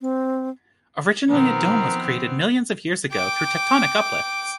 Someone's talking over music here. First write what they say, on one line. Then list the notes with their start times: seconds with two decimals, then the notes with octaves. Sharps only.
Originally a dome was created millions of years ago through tectonic uplifts.
0.01 C4
1.30 B2 D#3 F3 B3 C4 A#4
3.13 G5 D6